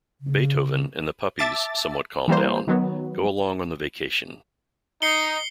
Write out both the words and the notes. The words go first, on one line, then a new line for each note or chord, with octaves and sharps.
Beethoven and the puppies, somewhat calmed down, go along on the vacation.
C#3
E5 A5 D6 A6
E3 G3 A#3 C5
D#3 F#3 B3
D#4 C7 C#7 G7